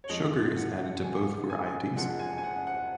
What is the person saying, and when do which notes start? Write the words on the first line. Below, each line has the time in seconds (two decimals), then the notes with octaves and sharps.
Sugar is added to both varieties.
0.04 C#5
0.09 F2 F3 G#3 D#5
0.56 F#5
1.03 G#5
1.50 G#5
1.67 G#5
1.96 F#1 F2 F3 G#3 F#5
2.20 G#5
2.38 G#5
2.44 F#5
2.67 F#5